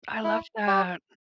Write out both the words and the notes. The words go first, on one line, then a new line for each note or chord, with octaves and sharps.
I love that.
E4
G4 D5